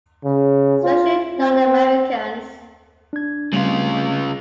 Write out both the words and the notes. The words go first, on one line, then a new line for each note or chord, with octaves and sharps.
Especially not Americans.
C#3
F4
C4
D4 G#6
C#3 G3 A3 C4 F4